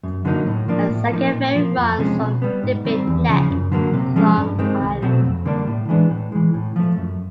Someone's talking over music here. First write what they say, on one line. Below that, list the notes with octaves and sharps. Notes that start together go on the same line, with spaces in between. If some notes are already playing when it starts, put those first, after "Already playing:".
A second ferry runs from Digby Neck to Long Island.
F#2
D3 F#3 A#3 D#4
A2
F3 A#3 D4
A2
F3 A#3 D#4
A#2
F3 A#3
F2
C3 F3 G#3 C#4
B2
G3 B3
G#2
D#3 G3 C4
E2
C#3 F3
F#2
D3 F#3 A#3
C3
F3 G#3 C#4
G2
D#3 G#3 C4
C2
B2 F#3 A3 C4
F2
D3 G3 A#3 D4
A2
E3 G#3 B3 D4
A2
E3 G#3
A2
F3 A3
F#2